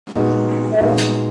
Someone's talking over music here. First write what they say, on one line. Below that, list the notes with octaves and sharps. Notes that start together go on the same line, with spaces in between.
The band consists of members of the bands Happy Diving and Big Bite.
A#2 G#3 B3 D#4 F#4
A#2 G#3 B3 D#4 F#4